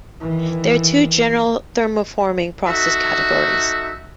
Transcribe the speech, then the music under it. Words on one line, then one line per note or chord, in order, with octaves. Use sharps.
There are two general thermoforming process categories.
D#3 E3
D#4 F#4 A4 E5